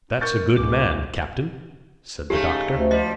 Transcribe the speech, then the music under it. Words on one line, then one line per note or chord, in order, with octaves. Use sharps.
"That's a good man, captain," said the doctor.
A#4 C#6 G6 A6
C#2 D6
C#3 A3 D#4 G4
D2
F3 G3 D#5